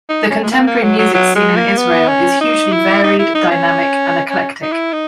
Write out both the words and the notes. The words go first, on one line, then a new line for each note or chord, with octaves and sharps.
The contemporary music scene in Israel is hugely varied, dynamic and eclectic.
D#4
C#4
G#3
A#3
A#3
F#3
F#3
F#3
G#3
A#3
B3
C#4
D#4
E4
D#4
E4
D#4
C#4
C#4
D#4
E4
D#4